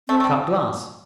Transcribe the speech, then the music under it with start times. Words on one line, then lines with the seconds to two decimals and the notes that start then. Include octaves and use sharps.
Cut glass.
0.09 A3 C4
0.20 A3
0.24 G3